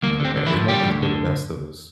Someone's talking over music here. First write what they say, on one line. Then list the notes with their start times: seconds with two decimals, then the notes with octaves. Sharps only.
That's okay. It happens to the best of us.
0.03 D2 A#3
0.20 D3 C4
0.36 D3
0.46 E3 E4
0.53 F3
0.68 D3 G3 G4
0.86 D2
1.02 D3